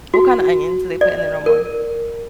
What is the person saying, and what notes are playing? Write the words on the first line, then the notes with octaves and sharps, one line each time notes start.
What kinda onions do they put in there normally?
F#4
D5
A#4